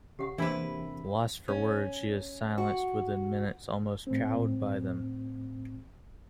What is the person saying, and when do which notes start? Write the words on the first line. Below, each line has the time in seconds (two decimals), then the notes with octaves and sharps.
Lost for words, she is silenced within minutes, almost cowed by them.
0.19 C#3 G4 F#5
0.38 E2 C3 A#3 D4 E4 B4 B5
1.48 C#4
2.58 F#4
4.07 A2 C4